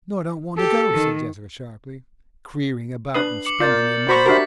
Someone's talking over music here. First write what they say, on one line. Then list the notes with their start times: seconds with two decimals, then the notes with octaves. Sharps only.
"Nor don't want to go," said Jessica sharply; "creering about and spendin' your money."
0.58 G4 A4
0.93 D#3
3.14 D4 B4 D#6 C7 F#7
3.45 D6 C#7 F#7
3.60 F4 A#4 D5 D6 G6 A6
4.09 F#4 C5 A#5 B5 C#6
4.26 D4 F#4 G4 A#4 E5 B6 C7